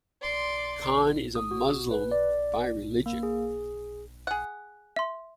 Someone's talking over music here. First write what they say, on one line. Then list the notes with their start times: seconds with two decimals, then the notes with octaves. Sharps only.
Khan is a Muslim by religion.
0.22 D5 C6
1.35 D#6
1.51 F#4
1.91 B4
2.11 D5
3.06 A#3
3.23 G#4
4.27 G#4 F#5
4.96 E5 C6